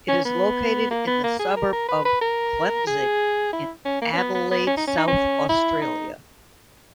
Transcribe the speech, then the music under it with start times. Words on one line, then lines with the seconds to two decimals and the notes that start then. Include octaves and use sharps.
It is located in the suburb of Klemzig in Adelaide, South Australia.
0.08 C#4
0.25 B3
0.91 A#3
1.07 B3
1.24 A#3
1.39 G#4
1.57 A#4
1.72 A#4
1.88 B4
2.05 B4
2.21 A#4
2.87 G#4
3.53 E4
3.85 C#4
4.02 A#3
4.13 C#4
4.17 B3
4.34 B3
4.51 B3
4.67 C#4
4.77 D#4
4.87 C#4
4.97 D#4
5.07 C#4
5.49 E4
5.82 D#4